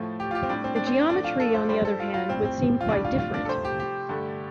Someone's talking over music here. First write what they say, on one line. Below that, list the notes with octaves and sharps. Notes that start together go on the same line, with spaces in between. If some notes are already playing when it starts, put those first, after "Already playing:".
The geometry, on the other hand, would seem quite different.
Already playing: A2 F3 A3
G4
F4
G4
C4
A2 G3 D4
C4
D4
C4
A2 F3 A3 D4
F4
A4
C5
G2 G3 C5
A4
F4
F4
A2 G3 C4
C4
F4
A2 G3 D4
F4
F4
D4
A4
C3 F3 A3 C5
G4
G4
G2 D3 A3